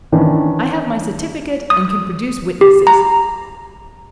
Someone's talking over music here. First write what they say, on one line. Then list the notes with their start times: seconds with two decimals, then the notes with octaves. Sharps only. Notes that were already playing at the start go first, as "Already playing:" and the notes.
I have my certificate and can produce witnesses.
0.12 D#3 E3 C#4 D4
1.70 D#6
2.61 G4
2.87 A#5